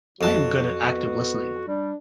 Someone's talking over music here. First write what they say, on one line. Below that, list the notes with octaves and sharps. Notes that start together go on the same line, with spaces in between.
I am good at active listening.
F2 F#3 F#4 A5
B3
G3 D4